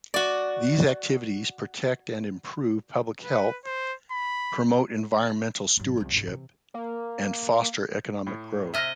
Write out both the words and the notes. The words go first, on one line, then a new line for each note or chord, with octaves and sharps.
These activities protect and improve public health, promote environmental stewardship, and foster economic growth.
F#4 D5
B4
C5
B5
G#2 F#3
C2 F2
G#2 C#3
C3 E3
A#3
A2
C3 D#5 E5 F6 A#6